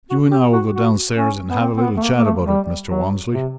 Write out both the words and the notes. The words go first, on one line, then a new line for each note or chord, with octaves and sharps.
"You and I will go downstairs and have a little chat about it, Mr. Walmsley."
F#4
G4
F#4
F#4
C#4
B3
C4
C4
B3
A3
A#3
A#3
A3
G3
F#3
C3